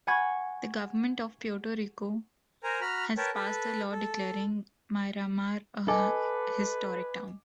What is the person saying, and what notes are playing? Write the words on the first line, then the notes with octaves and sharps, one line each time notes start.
The government of Puerto Rico has passed a law declaring Miramar a Historic Town.
F#5 G#5 B5 C#6 G#6
A#4 C5 G#5 A#5
F#4 A#5 B5 F6
A#4 B4 C#5 G5 A5
A4 B4
A4
A4 B4 D#5 G#5 D6